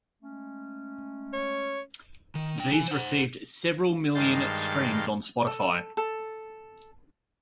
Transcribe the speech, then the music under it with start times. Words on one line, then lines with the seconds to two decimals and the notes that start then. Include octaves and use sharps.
These received several million streams on Spotify.
0.22 G#3 A3 C#4
1.33 C#5
2.35 D#3
2.58 D4 G5
2.72 E3 G#5
2.88 C5 F#5
4.14 G2 D#3 G#3 F5 G6 A6
5.47 A4
5.97 A4